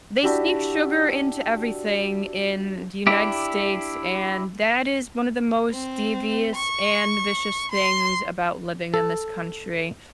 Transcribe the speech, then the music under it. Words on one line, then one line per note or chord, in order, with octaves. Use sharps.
They sneak sugar into everything in the United States, and that is one of the most devious and vicious things about living in this country.
D4 E4 F#4 G4
D4 E4 G4
C4
C#6
C6
A4